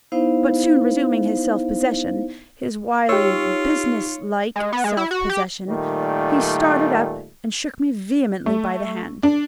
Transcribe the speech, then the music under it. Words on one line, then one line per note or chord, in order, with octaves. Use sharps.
But soon resuming his self-possession--his wily, "business-like" self-possession--he started up, and shook me vehemently by the hand.
B3 D#4 E4 C5 F5
D#4 F4 G4 C#5 E6
G#3
B3
G#3
E4
F#4
G4
A#2 D#3 G3 A3
A3
D4